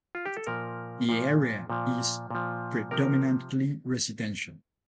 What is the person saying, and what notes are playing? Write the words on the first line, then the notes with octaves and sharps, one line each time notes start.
The area is predominantly residential.
F4
G4
A4
A#2 F3 A#4
A#2 F3
A#2 F3
A#2 F3
C3 F3 A#4